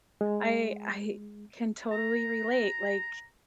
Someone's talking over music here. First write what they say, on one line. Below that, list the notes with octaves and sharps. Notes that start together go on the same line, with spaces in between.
I I can totally relate like
G#3
A#5